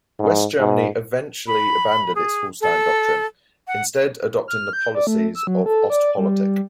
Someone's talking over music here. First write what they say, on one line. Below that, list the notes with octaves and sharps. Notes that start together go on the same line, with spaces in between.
West Germany eventually abandoned its Hallstein Doctrine, instead adopting the policies of Ostpolitik.
G#2
G#2
B5
G#4
A4
F#5
F6
G6
D5
A3
E6
F#3
A4
D5
G3